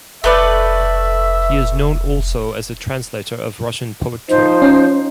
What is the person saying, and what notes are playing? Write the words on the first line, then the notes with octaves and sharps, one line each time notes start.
He is known also as a translator of Russian poetry.
F1 A3 B4 D5 E5
F3 D#4 C5
C#4